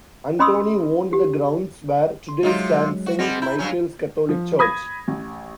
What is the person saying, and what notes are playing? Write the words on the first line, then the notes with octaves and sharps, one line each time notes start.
Anthony owned the grounds where today stand Saint Michael's Catholic Church.
C#4 D#5 B5 C6 D#6 E6
G4
C6
C3 F#3 G#3 D#4 F4
F#4
G3 G#3 C4 F#5 A#6
E4 A#5 B5 G6
G2 F#3 C#4
F3
B5 D#6 G#6 A#6
A1